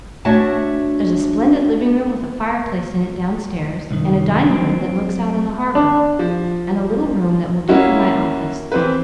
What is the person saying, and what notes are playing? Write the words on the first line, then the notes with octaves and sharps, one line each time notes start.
There's a splendid living room with a fireplace in it downstairs, and a dining room that looks out on the harbor, and a little room that will do for my office.
A3 D4 F#4 C#5 E5 A5
C2 F#2 D#3
F#3 C4
D4
F3
A#3 C#4 E4 F#4
E3 C4 B4